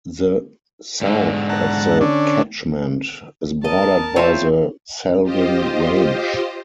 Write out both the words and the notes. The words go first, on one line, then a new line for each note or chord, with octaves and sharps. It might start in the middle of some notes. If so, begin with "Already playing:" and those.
The south of the catchment is bordered by the Selwyn Range.
G#2 D3
F#5 A5 A#5
D3 C#4 D4
A#4 D#5 A5
C4 E4 F4 C#5 E5 C6
F4 G4 C5 D#5